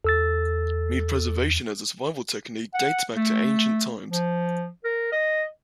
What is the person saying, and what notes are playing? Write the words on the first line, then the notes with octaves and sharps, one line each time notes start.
Meat preservation as a survival technique dates back to ancient times.
E2 A4 E6 A6
F#5
A3
F3
A#4
D#5